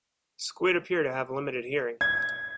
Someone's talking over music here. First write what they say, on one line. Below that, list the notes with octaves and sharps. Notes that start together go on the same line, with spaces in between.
Squid appear to have limited hearing.
G#6